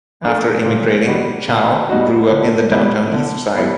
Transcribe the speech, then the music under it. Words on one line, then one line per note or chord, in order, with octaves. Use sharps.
After immigrating, Chow grew up in the Downtown Eastside.
A3 D4
A#2
G3 B3 D#4 F#4
A#2
G3 B3 D#4 F#4
D3
G3 B3 E4
D3
G3 B3 E4